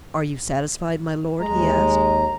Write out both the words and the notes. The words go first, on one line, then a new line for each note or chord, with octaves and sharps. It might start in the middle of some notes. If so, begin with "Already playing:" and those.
"Are you satisfied, my lord?" he asked.
D#2 G#3 A#5